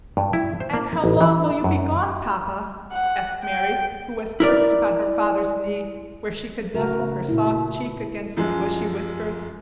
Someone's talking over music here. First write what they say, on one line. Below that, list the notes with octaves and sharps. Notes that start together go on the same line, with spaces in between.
"And how long will you be gone, papa?" asked Mary, who was perched upon her father's knee, where she could nestle her soft cheek against his bushy whiskers.
G2
E4
C5
A#3
A1
E3
F#2
F#5
G5
E4 A#4 D5
C#3 A3 F#4 A#4
A#2 E4
F#2 F3 G#3